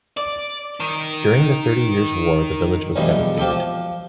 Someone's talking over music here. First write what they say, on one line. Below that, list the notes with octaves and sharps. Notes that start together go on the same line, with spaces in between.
During the Thirty Years' War the village was devastated.
D5
D#3
B1 F2 D3 E3 G3 G#3
C4 F4 G4 A4
F3